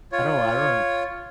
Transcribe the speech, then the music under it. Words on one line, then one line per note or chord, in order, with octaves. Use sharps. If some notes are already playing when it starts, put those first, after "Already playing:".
I don't I run
F4 C#5